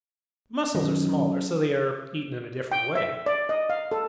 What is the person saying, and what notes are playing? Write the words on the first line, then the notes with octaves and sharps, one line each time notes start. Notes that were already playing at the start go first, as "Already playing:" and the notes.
Mussels are smaller, so they are eaten in a different way.
F#2 D#3
G5
E5
D5
D#5
F5
A4